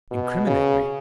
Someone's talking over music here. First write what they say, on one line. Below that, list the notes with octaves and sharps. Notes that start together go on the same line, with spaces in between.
"Incriminate me?"
B2
C#3